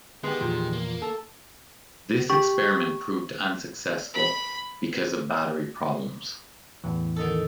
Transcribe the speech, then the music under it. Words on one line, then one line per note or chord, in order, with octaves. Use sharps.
This experiment proved unsuccessful because of battery problems.
D#3 G#3 B3 G4
E2 A#2 F3
A#3
A4
G4 C#6
B5
E2 A2 E3
D#3 D#4 A4